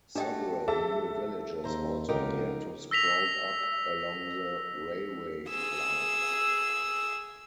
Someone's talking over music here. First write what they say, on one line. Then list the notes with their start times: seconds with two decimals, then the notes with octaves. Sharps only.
Several new villages also began to sprout up along the railway lines.
0.15 A3 D4 F#4 G4 D#5 G5
0.68 G#4 A4 E5 A5
1.64 D#2 C5 A#5
2.09 C#2 D3 D#4 G4 A#4
2.91 E6 A#6 B6 F7
5.49 G#4 E6